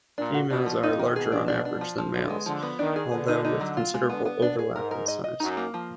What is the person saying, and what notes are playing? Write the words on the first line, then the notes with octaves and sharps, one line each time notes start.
Females are larger on average than males, although with considerable overlap in size.
A#2 D4
F#4
B2 D4
F3
F2 D#4
D#3
B2 G#4
D4
D4
D4
F3
F3
D3 B3
G#3
D3 F3
B3
D#3 D4
G#4
D3 B3
D#4
D#4
F#3
F4
G#3
D3 B3
B3
D4
G#4
G#2 A#4
A#4
D#5
D#5
F#2 D#4
A#3
F3